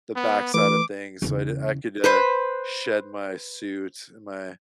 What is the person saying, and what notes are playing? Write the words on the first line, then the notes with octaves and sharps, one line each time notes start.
the backside of things, so I d I could, uh, shed my suit and my
B3
E3 A3 B4 D6
E2 C#3
B4 C5 B5